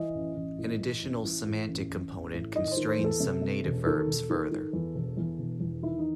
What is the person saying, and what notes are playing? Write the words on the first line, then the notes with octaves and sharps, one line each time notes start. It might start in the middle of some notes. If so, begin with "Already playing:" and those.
An additional semantic component constrains some native verbs further.
Already playing: E3 D#5
A1
A1
A2
E3
A1
E3
A2
A1
A1
A1
A2
D#3 D#5
C5
D#3
C5
E2
A4
C3
C3
E1
D#3 A4
E1
D#3
D#3
E2
E1
E2
E1
E2
D#3 E4
D#4